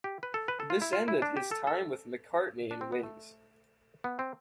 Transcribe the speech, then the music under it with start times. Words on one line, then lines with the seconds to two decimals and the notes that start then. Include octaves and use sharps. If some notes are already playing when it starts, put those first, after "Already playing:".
This ended his time with McCartney and Wings.
0.04 G4
0.23 B4
0.34 A4
0.48 B4
0.60 A4
0.70 F4
0.82 E4
0.93 F4
1.08 E4
1.22 D4
1.37 G4
1.51 A4
1.67 A4
2.71 D4
2.81 C4
2.92 B3
3.03 A3
4.04 B3
4.19 C4